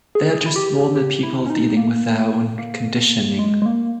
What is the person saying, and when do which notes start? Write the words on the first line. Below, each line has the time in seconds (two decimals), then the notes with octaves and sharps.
They are just normal people dealing with their own conditioning.
0.15 G#4
0.46 E4
0.56 G4
0.96 G4
1.23 E4
1.46 C#4
1.50 D#4
1.77 A#3
2.59 A#3
3.39 G#3
3.62 G#3
3.66 A#3